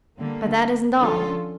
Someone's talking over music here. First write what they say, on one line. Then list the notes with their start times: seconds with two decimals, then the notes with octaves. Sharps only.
But that isn't all.
0.19 D3 G3 A#3
0.98 D3 F3 C#4 F4 A4